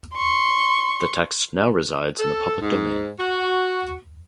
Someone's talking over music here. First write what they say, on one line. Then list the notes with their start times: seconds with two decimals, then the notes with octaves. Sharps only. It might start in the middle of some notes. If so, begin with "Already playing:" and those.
The text now resides in the public domain.
0.15 C6 C#6
2.19 A4
2.61 G#2
3.20 F#4